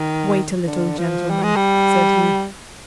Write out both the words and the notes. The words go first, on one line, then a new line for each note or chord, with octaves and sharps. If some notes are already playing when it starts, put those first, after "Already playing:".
"Wait a little, gentlemen," said he.
Already playing: D#3
D3
F3
G3
G#3
G3